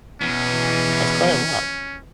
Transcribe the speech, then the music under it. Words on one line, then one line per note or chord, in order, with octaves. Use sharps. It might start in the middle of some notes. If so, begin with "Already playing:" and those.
That's quite a lot.
E2 B2 E3 C#4